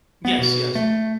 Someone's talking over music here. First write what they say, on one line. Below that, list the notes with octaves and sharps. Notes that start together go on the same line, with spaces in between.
Yes. Yes.
B3
B2
A3